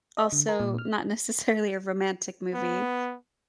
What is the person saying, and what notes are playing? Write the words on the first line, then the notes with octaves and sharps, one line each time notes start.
also not necessarily a romantic movie.
D#5
D3
A#4
A#2
F6
B3